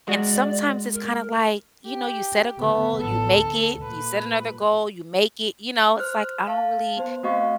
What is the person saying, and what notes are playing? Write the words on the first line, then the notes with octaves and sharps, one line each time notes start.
And sometimes, it's kinda, like, you know, you set a goal, you make it. You set another goal, you make it. You know, it's like, I don't really
G#3 F#4 D5
A#4
G4
D3 B3
A1 A4
D2
A#2 B4
C5 F6 F#6
F5 A5
B3 C5
A3 C4 F#4 D#5 F5 C#6